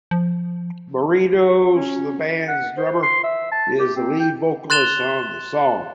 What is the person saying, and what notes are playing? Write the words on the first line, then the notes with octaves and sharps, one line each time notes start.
Marinos, the band's drummer, is the lead vocalist on the song.
F3
C#4
F#5
C5
C6
E5
A5
G4
C4
G5
C6 F#6 A6 E7 F7 G7